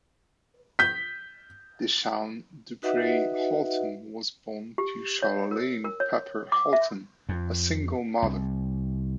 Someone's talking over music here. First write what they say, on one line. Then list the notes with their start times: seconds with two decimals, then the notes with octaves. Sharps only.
DeShaun Dupree Holton was born to Sharallene "Pepper" Holton, a single mother.
0.79 G6 B6
2.83 D#4 F#4 B4 D#5 E5 F#5
4.78 G4
5.22 C#5
5.51 A#4
5.84 A#4
6.00 C#5
6.52 D6
6.73 E5
7.29 F2
8.22 C2